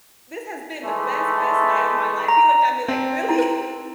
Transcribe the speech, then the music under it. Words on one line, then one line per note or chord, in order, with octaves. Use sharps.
this has been the best, best night of my life!" he looked at me like, "Really?"
E3 G#3 A3
A#5
C4 A5
D#4 E4 A#5